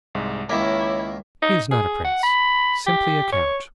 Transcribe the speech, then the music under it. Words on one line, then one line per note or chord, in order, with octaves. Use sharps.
"He is not a prince; simply a count."
C2 G#2 G#3
C#2 D#3 A#3 E4 C#5 D6 B6
D#4
G#4
F#5
B5
G4
C#5